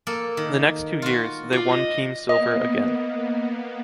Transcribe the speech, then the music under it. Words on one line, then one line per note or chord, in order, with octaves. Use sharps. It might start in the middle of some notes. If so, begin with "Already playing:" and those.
The next two years, they won team silver again.
A#3 A4
D#3
F4 F#4
F4 D5
D#5
A#3 B3 D#5